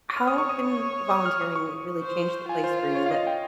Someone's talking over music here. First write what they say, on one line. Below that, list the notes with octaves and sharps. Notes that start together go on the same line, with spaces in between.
how can volunteering really change the place where you live?
C#5 F6
D#6
C#6
D#6
D#6
F6
D#6
C#6
C5
F4 G#5
C5
C5
C#5
F5
D#5
G5